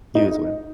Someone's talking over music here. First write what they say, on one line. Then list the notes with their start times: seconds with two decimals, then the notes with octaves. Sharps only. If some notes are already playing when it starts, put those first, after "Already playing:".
You as well.
0.15 D#4